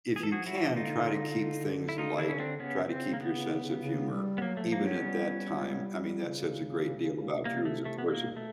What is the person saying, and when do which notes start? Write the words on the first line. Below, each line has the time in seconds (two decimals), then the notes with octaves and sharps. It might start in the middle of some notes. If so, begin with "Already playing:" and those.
if you can try to keep things light, try to keep your sense of humor, even at that time, I mean, that says a great deal about Jews, of course.
0.16 E3 G#4
0.23 A4
0.31 F3 F#4 G#4
0.46 F#3 E4 F#4
0.62 F3
0.76 D3 D#4 F4
1.89 E4
1.98 D#4 F4
2.18 D4 E4
2.29 C#4
2.39 C4 D4
2.60 C#3 B3 C#4
2.89 C4
3.13 A#3
3.21 B3
3.81 C#3
4.11 G3
4.38 B3
4.42 F#3 A#3
4.57 A3
4.62 F3
4.72 A#3
4.82 F#3 B3 C#4
5.03 G3
6.25 C#3
7.36 B2
7.45 C3 A#3
7.65 A3
7.85 A3
7.98 B3
8.07 B2 A#3
8.37 A3